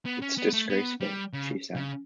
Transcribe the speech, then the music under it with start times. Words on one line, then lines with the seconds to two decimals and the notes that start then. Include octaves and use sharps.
"It's disgraceful," she said.
0.06 B3
0.22 C#4
0.38 B3
0.53 A3
0.70 B3
1.01 G3
1.33 C#3
1.76 C#3